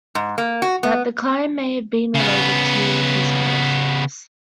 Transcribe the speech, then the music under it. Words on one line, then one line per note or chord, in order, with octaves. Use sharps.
That decline may have been related to his war service.
G#2
A#3
F#4
B3
C#3 B3